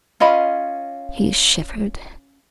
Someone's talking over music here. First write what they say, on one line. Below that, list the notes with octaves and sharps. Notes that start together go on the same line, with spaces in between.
He shivered.
C#4 F4 D#5 B5